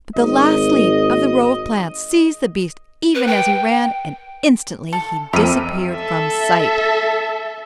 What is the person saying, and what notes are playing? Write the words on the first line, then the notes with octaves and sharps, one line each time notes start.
But the last leaf of the row of plants seized the beast even as he ran and instantly he disappeared from sight.
G#1 D#5
B4
G5
A4
F2 G4 A#4 E5 D#7
A4 E5